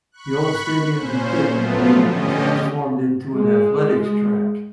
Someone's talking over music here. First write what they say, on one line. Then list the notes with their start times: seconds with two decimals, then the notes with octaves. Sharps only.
The old stadium 'De Kuip' will be transformed into an athletics track.
0.12 B5 C#6 F#6
0.92 A#2 C#4 C5
1.47 F3 F#3 A3 B3 F4
2.02 D3 C#4 G4 D#5
3.33 G#3